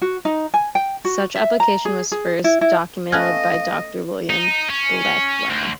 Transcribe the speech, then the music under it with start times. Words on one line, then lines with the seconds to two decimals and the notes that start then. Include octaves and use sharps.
Such application was first documented by Doctor William Bleckwell.
0.02 F#4
0.25 D#4
0.54 G#5
0.75 G5
1.05 F#4
1.35 E5
1.60 A#5
1.85 G#4
2.12 G#4
2.44 E4
2.61 E4
3.12 A3 B3 C#4 D#5 F5 F6 F#6 G#6
4.30 D#4
4.70 C#4
5.50 D2